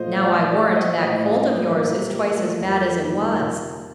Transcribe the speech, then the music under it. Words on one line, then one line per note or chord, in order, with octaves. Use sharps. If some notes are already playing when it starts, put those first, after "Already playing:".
Now I warrant that cold of yours is twice as bad as it was.
Already playing: A#2 F3 A3 C5 D#5 F5
A#2 D5 F5
D5 F5
F3 A#3
C5 D#5
A2 C5 D#5
D5 F5
G3 A#3
A#4 D5
A#2 A4 C5
G4 A#4
F3 A3
F4 A4
F2 G4 A#4
F4 A4
D#3 G3 A#3 D#4 G4
G4 A#4
C3